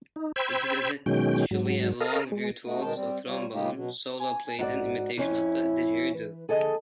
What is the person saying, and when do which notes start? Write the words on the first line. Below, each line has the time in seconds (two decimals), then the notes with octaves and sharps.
It is essentially a long, virtuoso trombone solo played in imitation of the didgeridoo.
0.16 D#4
0.36 C5 G5 B5 E6 G#6
1.06 B2 D#3 F#3 G#3 C#4 G5
1.51 G#2 F#3
2.01 A4 A#4 D#5 F5
2.32 G#3
2.65 A3 D#4 F#4
2.82 B2 D#3 G#3 G5 A5
2.94 G3 C4
3.27 G3 F4 C#5
3.54 C#3 G#3 A#3 D#4 F4 G4
3.75 B2 F#3
4.20 G#5
4.59 A1 G#2 F#4 D5
5.17 F2 C#4 E4
6.14 E3 B4
6.49 A#1 D3 G#4 A4 D#5